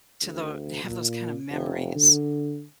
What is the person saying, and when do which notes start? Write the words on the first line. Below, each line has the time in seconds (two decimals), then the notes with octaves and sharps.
to the have those kind of memories.
0.22 D2
0.84 A#2
1.51 F1
1.95 D3